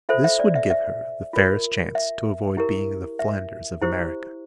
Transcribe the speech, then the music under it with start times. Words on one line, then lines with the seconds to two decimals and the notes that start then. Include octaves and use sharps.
This would give her the fairest chance to avoid being the Flanders of America.
0.09 F4 A4 C5 E5
0.24 E5
0.40 D5
0.56 E5
0.70 E5
1.33 F4 A#4
1.95 E5
2.57 E4 G4 A#4
3.19 E5
3.82 E4 G4 C5